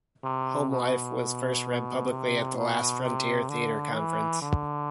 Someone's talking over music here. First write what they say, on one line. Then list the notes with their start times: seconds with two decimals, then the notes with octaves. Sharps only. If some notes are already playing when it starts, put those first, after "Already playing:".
"Homelife" was first read publicly at the Last Frontier Theatre Conference.
0.24 C3
0.71 B2
2.10 C3
2.56 B2
3.03 C3
3.49 D3
3.96 E3
4.42 D3